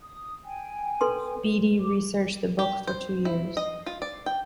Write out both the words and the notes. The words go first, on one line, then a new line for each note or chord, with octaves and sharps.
Beattie researched the book for two years.
D#6
G5 G#5
A4 B4 C6
D6
G4
C5
E4
D#5
F4
D5
G5